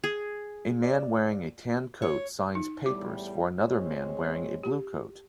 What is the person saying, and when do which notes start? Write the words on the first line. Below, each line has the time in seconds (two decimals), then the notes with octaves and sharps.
A man wearing a tan coat signs papers for another man wearing a blue coat.
0.04 G#4
0.83 D5
2.02 C#5
2.55 D#4
2.86 E2 A2 G3 D6
3.58 G#3 C4 C#5
4.63 G4